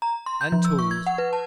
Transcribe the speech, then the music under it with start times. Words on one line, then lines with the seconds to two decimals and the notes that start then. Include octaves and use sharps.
And tools.
0.02 A#5
0.26 C6
0.41 G6
0.52 F3
0.65 E6
0.79 C#6
0.91 G#6
1.07 F#5
1.18 B4
1.33 A5